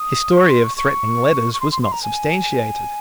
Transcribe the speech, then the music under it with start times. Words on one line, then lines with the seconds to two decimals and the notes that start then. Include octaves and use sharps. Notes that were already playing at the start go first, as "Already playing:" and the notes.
His story of threatening letters was not substantiated.
Already playing: D#6
0.36 C#6
0.49 C6
0.64 C#6
0.77 C#6
1.53 C#6
1.60 C6
1.71 C6
1.82 C6
1.92 A#5
2.03 G#5